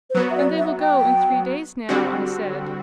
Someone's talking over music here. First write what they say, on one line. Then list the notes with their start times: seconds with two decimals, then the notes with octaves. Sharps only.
"And they will go in three days now?" I said.
0.10 C5
0.15 F#3 B3 F#4 B4
0.30 E5
0.37 D5
0.58 E5
0.81 G5
1.89 D3 G3 C4 F#4